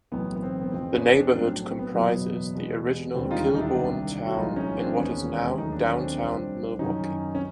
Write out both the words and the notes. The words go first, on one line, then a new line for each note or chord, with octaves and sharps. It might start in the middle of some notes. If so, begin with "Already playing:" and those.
The neighborhood comprises the original Kilbourn Town in what is now downtown Milwaukee.
B1 A2 E3 B3
B3
C4
B3
F2 C#3 F3 A3 C4
B3 C#4
C4 D4
B1 A2 F#3 A3 C4 D4
C4
B3
F#1 E2 B2 F#3
E2 B2 G#3
E1 D#2 D3 G3 C4
D#4 F4
D#4
D4 E4
C2 C3 D#3 G3
F#4
B1 A2 E3 G#3 D#4 F4
C#4 D#4
C4 D4
E1 D#2 D#3 G#3 B3 C#4
D#2 D#3 F#3 A3 D#4
D4
C#4
C4 D4
C2 C3 F3
F#2 D#3 F#3 C#4 D#4
C#4